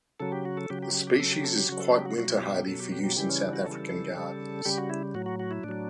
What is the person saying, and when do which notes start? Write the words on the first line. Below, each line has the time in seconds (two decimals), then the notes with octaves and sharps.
This species is quite winter hardy for use in South African gardens.
0.20 C#3 F#3 A4
0.32 G4
0.45 F#4
0.57 A4
0.70 C#3 F#3 G4
0.83 G4
0.94 G4
1.07 G4
1.19 C#3 F#3 A4
1.32 G4
1.44 A4
1.56 G4
1.69 C#3 F#3 F#4
1.80 A4
1.93 G4
2.05 F#4
2.18 B2 F#3 F#4
2.30 E4
2.42 G4
2.54 G4
2.67 B2 F#3 A4
2.79 G4
2.92 G4
3.04 G4
3.17 C#3 E3 G3 G4
3.30 C#4
3.41 D4
3.53 F#4
3.66 C#3 E3 G3 A4
4.16 C#3 G3
4.65 C#3 G3 G4
4.78 F#4
4.90 E4
5.14 A2 F#3 F#4
5.26 F#4
5.39 F#4
5.51 E4
5.64 A2 F#3 D4